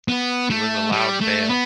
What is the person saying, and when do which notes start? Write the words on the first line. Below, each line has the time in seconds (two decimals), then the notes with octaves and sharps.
He was allowed bail.
0.08 B3
0.50 A3
0.92 G3
1.21 A3
1.49 B3